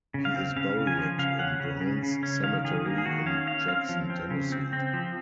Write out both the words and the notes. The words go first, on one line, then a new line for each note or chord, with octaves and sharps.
He is buried in Browns Cemetery in Jackson, Tennessee.
C#3
F5
C4
C#3 F5
C#3
G#5
F3
C#3 F5
C#4 F#5
C#3
C#3
C#3
C#4
D#3 F5
D#3 G#4
A#3
G#4
D#3 F#4
C#4 F5
C#4 F5
C4 F5
F3
C4
C#3
C4
C4
F3